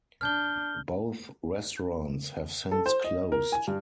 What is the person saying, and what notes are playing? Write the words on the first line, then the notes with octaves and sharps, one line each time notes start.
Both restaurants have since closed.
D4 F6 G6 G7
A4
C5
D#5
A#4
G#5
G2